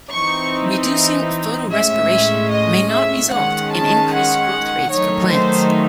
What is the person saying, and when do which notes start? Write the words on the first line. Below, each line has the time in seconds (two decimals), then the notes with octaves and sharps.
Reducing photorespiration may not result in increased growth rates for plants.
0.13 E3 C4 D#4 C#6
1.71 A2 G#3 C#4 E5
2.51 D#5
2.92 E5
3.31 D#3 G#3 C#4 F#5
3.71 A5
4.11 F#5
4.91 D#3 F#3 A3 D#4 C#5
5.30 C5